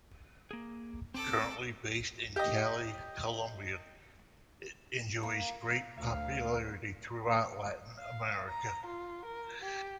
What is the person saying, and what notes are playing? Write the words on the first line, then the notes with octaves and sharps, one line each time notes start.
Currently based in Cali, Colombia, it enjoys great popularity throughout Latin America.
A#3 G#4
C4 A4 D6
G4 D#5
A#3
D2 F5
F5
A#5
F4
A#4
G4